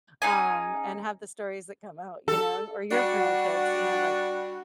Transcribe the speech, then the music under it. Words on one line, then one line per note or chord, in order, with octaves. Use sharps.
Um, and have the stories that come out, you know, or your grandkids and they're like,
C#4 D#4 G#4 G#5
A4
G3 D4 F#4